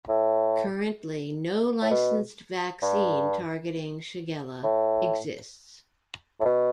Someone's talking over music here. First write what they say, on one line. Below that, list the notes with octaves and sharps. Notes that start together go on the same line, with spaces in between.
Currently, no licensed vaccine targeting "Shigella" exists.
A2
A2
B2
G2
A2
A2
B2